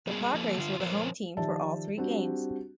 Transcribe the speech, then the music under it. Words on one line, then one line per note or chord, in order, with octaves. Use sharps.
The Padres were the home team for all three games.
G3 B3 G#4
F3 A#3 A4
D3 F4
F3 A#4 C5 C#5
D#3 F3 G4 D5 E5 A5
G3 C4 D4 F#4 G4